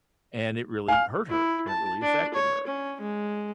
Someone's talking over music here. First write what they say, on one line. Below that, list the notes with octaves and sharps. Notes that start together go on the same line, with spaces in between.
and it really hurt her, and it really affected her,
F5 G#5 F6
E4
A5
D4
C#5
C#4
G#3